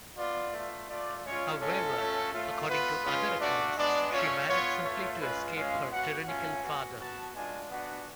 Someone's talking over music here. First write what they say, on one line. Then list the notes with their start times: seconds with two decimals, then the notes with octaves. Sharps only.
However, according to other accounts, she married simply to escape her tyrannical father.
0.18 B3 F4 D5
0.53 A3 F4
0.89 A3 F4 D5
1.25 G#3 C#4 F4 C#5
1.60 G#3 C#4 F4 A4
1.97 A3 C#4 F4
2.33 A3 F4
2.69 B3 F4 B4
3.04 G#3 C#4 F4
3.40 A3 D4 F#4 D5
3.76 G#3 B3 D4 D5
4.12 A3 C#4 F4 C#5
4.47 B3 F4 C#5
4.84 A3 F4 C#5
5.19 G#3 C#4 F4 B4
5.55 G#3 C#4 F4 F5
5.91 B3 F#4 F#5
6.27 A3 C#4 F4 G#5
6.62 B3 F#4
6.99 B3 F#4 A5
7.34 G#3 D4 F4 G#5
7.71 B3 D4 F#4 F#5